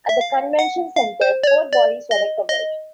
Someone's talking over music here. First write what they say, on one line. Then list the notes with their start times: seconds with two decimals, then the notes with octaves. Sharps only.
At the Convention Center, four bodies were recovered.
0.09 E5
0.21 F5
0.59 F#5
0.96 F5
1.21 C5
1.43 D5
1.47 C#5
1.73 D5
2.11 D#5
2.49 D#5